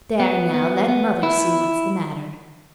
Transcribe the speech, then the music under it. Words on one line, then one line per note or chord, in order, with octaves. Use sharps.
"There now, let mother see what's the matter."
B3
B3
B3
E4